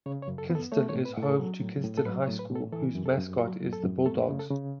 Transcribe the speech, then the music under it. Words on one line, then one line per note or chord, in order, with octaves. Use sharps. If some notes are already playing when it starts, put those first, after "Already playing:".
Kinston is home to Kinston High School, whose mascot is the Bulldogs.
C#3 C#5
C#5
F#2
A4
B3
A4
A3 C#5
C#5
A2
B4
A2
A4
F#3
A2
A2
A4
F#3 B4
C#5
A2
B4
A2
A4
E3 A4
F#2
A4
F#2
F#3 F#4
F#2
A4
F#2
A3 A4
B4
C#3
A4
C#3